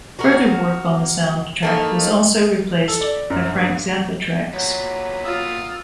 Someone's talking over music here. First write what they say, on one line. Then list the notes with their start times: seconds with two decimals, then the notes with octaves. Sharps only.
Further work on the soundtrack was also replaced by Frank Zappa tracks.
0.19 F#4 A#4
1.63 A3 A#3 D#4
2.88 A4
3.01 D5
3.30 F#2
3.53 G2
4.54 A#2 F#3 B3
5.25 F4 D#6 E6